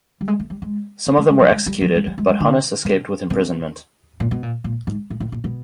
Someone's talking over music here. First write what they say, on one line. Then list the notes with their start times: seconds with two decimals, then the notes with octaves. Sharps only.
Some of them were executed, but Hunnis escaped with imprisonment.
0.21 G3
0.28 G#3
0.40 A3
0.50 G3
0.62 G#3
1.07 A3
1.17 A3
1.29 G#3
1.40 F#3
1.51 G#3
1.66 G3
1.81 F#3
1.95 G3
2.07 G3
2.18 G#3
2.29 G#3
2.40 D3
2.85 C3
3.30 C3
4.20 A#2
4.31 B2
4.43 A#2
4.64 A#2
4.87 G#2
5.10 A2
5.20 A2
5.32 A#2
5.44 B2